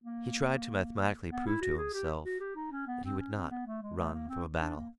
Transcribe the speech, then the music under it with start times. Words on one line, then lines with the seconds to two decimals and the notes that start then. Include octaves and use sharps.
He tried to mathematically prove to himself that he would not run from a battle.
0.04 A#3
1.31 B3
1.46 E4
1.61 F#4
1.77 G#4
1.93 G4
2.25 F#4
2.40 G4
2.56 D#4
2.72 C#4
2.87 B3
3.04 C4
3.19 C#4
3.34 C4
3.51 B3
3.67 A3
3.83 G#3
3.97 A3
4.14 A#3
4.29 C4
4.60 D4
4.77 A#3